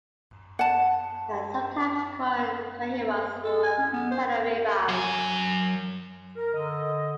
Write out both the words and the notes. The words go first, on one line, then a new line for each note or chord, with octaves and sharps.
They are sometimes called trahiras or tarariras.
F#5 A5
A4
G#5
C#4
B3
C5
F#3 G#5
A#4
D3 D#5